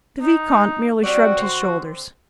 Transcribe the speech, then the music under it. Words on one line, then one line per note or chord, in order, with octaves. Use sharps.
The vicomte merely shrugged his shoulders.
D#4
G3 C4 F#4 D5
D3 C4